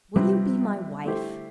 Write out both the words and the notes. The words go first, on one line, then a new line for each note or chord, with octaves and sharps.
Will you be my wife?
C3 F3 G3 C4 G4 B4
D3 A3 E4 G4 C5